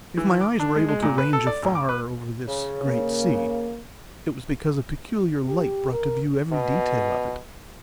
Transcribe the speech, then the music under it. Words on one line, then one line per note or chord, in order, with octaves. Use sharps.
If my eyes were able to range afar over this great sea, it was because a peculiar light brought to view every detail of it.
E3
D6
D4
G#3
G#3
A#2
B4
A4
D5
A1
D6
B4
C#3
A#3
G4
A#4
B2